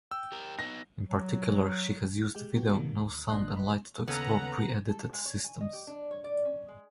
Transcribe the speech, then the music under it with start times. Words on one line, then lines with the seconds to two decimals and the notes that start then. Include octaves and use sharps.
In particular, she has used video, sound and light to explore pre-edited systems.
0.11 G5 E6
0.32 G4 A#4
0.59 B3 D#4 A#6
1.09 F#3
2.35 G#3 G4 G5
2.56 B3 F#4
2.73 G#2 C3 D#3 G3 A#3
2.97 D2
3.30 A1 A#2 D4 D#5 C6 F#6
3.56 B4 B5
4.08 D#2 C#3 B3 C#4 A4 B4 F#5 A#5
4.89 A4
5.13 G#3
5.25 C#5
5.44 G#5
5.61 D#5
5.73 G4
5.87 D4
6.11 C#5
6.24 D5
6.45 C#4
6.68 G#3